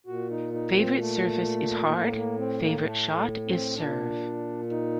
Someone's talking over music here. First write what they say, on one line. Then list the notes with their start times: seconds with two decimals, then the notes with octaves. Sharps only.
Favorite surface is hard; favorite shot is serve.
0.07 A#2 F#4
0.31 D#4
0.54 D#4
0.77 C4
0.99 A3
1.88 A3
1.92 A2 A#3
2.15 A#3
2.38 C4
2.62 A#3
2.80 A#3
2.85 A3
3.47 C4
3.77 A#2 D4
4.71 D#4